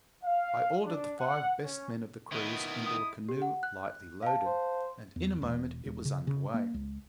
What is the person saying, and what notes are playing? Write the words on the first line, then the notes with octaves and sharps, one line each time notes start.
I ordered the five best men of the crews into a canoe lightly loaded; and in a moment it was under way.
F5
D4
F#5
C#4
D#3 B3 E4 D#5
D#6
G4
F#5
F#6
F5 A5
C5
E2
E1
E1
C#3
C#3
A#3
C#2